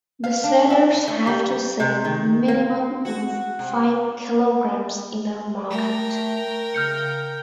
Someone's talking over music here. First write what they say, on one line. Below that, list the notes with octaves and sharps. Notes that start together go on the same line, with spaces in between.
The sellers have to sell minimum of five kilograms in the market.
F5
D4
E4
A3
G3
C3
D#3
A#3
F#4
C3
A3 A#4 G5
C#3 F6 G6 C#7